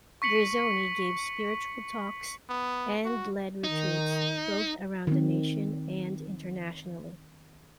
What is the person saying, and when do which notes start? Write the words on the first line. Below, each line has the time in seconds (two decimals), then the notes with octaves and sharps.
Girzone gave spiritual talks and led retreats, both around the nation and internationally.
0.22 C#6 B6 C#7 F#7
2.49 B3
3.05 F#4
3.64 D#3 D#4
5.07 D#3 C4